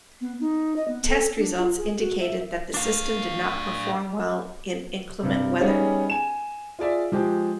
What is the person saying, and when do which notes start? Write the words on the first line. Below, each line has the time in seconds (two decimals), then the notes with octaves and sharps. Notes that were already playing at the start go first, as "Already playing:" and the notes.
Test results indicated that the system did not perform well in inclement weather.
0.21 B3
0.41 D#4
0.76 D#5
0.88 B3
1.08 A4
1.38 D4
1.58 F4
1.78 G#4
2.00 F#4
2.20 E5
2.74 D4 F5
5.23 G2 C3
5.60 G3 B3 C#4 D#4 G#4
6.10 G#5 E7
6.79 F4 G#4 D5 E5
7.12 F3 G#3 G4